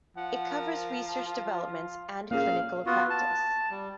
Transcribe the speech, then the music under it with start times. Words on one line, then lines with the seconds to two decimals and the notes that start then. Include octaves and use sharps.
It covers research developments and clinical practice.
0.16 F3 F#5
0.50 A#4
1.06 F4
2.31 A#2 A#3 C#4 G#4 F5
2.86 B3 F4 F#4
3.10 A5
3.71 G3